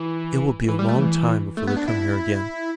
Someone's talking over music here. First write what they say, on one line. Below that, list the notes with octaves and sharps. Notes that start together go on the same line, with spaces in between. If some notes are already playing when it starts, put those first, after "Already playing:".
It will be a long time before they come here again.
Already playing: E3
E3
G3
A3
E3
A3
B3
D4
E4